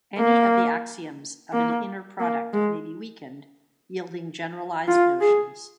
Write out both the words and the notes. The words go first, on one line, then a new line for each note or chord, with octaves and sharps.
Any of the axioms of an inner product may be weakened, yielding generalized notions.
A#3
A#3
A#3
G#3
F4
G#4